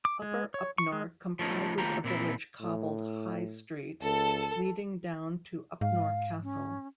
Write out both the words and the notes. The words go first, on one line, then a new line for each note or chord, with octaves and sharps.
Upper Upnor comprises a village cobbled high street leading down to Upnor Castle.
D6
G#3
C#5
C#6
G#3
F3 A3 C#4 D#4
D#2 A3 B3 F4 G4 A#5
A#2 C4 E4
A2
C#2 A4
G#2 F5
C#4